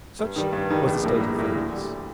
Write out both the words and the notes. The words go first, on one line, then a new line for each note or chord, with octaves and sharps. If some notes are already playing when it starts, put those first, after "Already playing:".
Such was the state of things.
G2
D#3 G3
G2
D#3 G3
A#1
A2 G3 A#3
A#1
A2 G3 A#3
D2
D3 G3